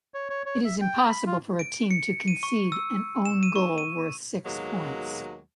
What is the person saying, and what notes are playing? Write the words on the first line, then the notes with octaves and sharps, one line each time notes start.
It is impossible for a team to concede an own goal worth six points.
C#5
C#5
C#5
E5
G5
B5
F4
D7
C#7
D#7
C#6
E6
E7
D#7
C#6
D#7
D#2 B2 F#3 G#3 A#3